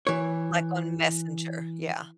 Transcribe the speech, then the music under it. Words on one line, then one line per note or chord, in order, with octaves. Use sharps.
Like, on Messenger. Yeah.
E3 C#5